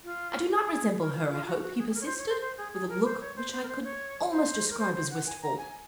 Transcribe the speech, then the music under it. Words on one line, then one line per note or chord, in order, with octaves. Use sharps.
'I do not resemble her, I hope,' he persisted, with a look which I could almost describe as wistful.
F4
G#4
A#4
F4
F4
F#4
F#4
G#4
G#4
A#4
C#5
C5
C#5
C5
C5
G#4
G#4
A#4
C5
C#5
C5
C5
A#4
C5
C#5
C#5
C5
A#4
C5
C5
F#5
G#5
A#5
G#5